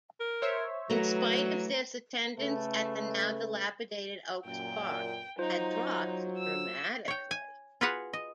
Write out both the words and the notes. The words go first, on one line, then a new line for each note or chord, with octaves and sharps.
In spite of this, attendance at the now-dilapidated Oaks Park had dropped dramatically.
A#4
C5 C#5 E5
E3 F#3 A3 A#5
C#3 A3 A4 B4
F#2 A#2 G5
F#3 D#4 F4 C5
E6
C#5 G5
G#5
F4 F#4 G#4 B4 F5 F#5
D#5